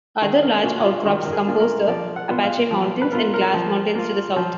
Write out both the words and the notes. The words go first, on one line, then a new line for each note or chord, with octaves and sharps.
Other large outcrops compose the Apache Mountains and Glass Mountains to the south.
D#3 G#4
A#4
A#3 D4 F4 F#4
F4
D#3 F#4
A#4
G#4
A#3 D4 F4
A#4
F3 D5
F#5
B3 F4
F5
F3
B4
B3 F4 A#4
A#4
F3
A#3 F4
F3